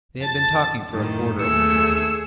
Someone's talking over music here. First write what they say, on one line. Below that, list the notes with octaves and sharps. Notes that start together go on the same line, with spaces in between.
They had been talking for a quarter of an hour.
F2 A5 A6
F#2 A2 D#3
D#2 A3 G#4 E6 C#7